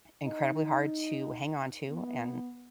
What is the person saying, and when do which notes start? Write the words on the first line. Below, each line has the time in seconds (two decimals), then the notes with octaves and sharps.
incredibly hard to hang on to, and
0.23 D#4
1.88 B3